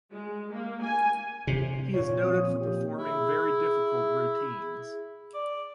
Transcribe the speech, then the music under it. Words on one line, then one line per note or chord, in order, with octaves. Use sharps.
He is noted for performing very difficult routines.
G#3
A#3
G#5
C3
A#2 C#5
F3 C4 D#6
G4
E4 G#4
D5